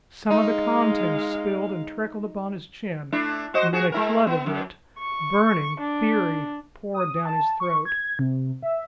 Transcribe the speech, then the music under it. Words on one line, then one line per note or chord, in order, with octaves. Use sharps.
Some of the contents spilled and trickled upon his chin, and then a flood of it, burning, fiery, poured down his throat.
G#3 D#4 F5
A3 D4 E4
F#4 C5 D#5
F#4 G#4
G#3 E4 A#4
B3
F#2
C#6
D4
D#6
A5
C#6
G#6
C3
E5